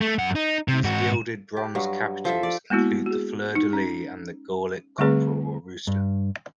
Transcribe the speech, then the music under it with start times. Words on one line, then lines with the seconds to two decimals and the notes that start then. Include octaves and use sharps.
These gilded bronze capitals include the fleur-de-lys and the Gallic cockerel or rooster.
0.01 A3
0.19 F#2 F#5
0.36 D#4
0.68 C3
0.84 G#2 F#4
1.57 G4
1.75 G2 F#3
2.25 F3 A4 E5
2.43 D5
2.70 G#3 A#3 B3 E4 F#4
3.06 F#4 G#4
3.55 D#4
3.73 C#4
4.98 D3 G3 A3 C4 G#4 B4
5.87 G2